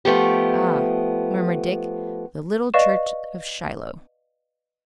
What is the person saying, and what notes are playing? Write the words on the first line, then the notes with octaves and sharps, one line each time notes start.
"Ah," murmured Dick, "the little church of Shiloh!"
F3 A3 B3 G4
B4 D5 D#5 F5 C#6 E7